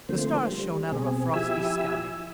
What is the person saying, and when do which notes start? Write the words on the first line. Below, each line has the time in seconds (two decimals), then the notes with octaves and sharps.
The stars shone out of a frosty sky.
0.09 D3 F3 A3 A#3 C4 C5
0.50 G3
0.92 B2 C4 G#4
1.34 F3 E4 G4 E5 G#5 E6